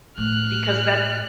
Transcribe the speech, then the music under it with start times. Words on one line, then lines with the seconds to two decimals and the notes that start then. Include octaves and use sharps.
because that
0.18 A2 F6 F#6